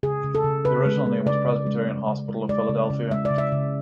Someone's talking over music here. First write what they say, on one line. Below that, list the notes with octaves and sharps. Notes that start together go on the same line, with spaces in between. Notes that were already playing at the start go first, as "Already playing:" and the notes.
The original name was Presbyterian Hospital of Philadelphia.
C#3 G#4
C#3
A4
C#3
C#3 B4
G#3
G#3
C#3 D5
C#3
G#3
G#3
C#3
G#3
G#3 D5
C#3
C#3
G#3 E5
D5
C#3
E5
C#3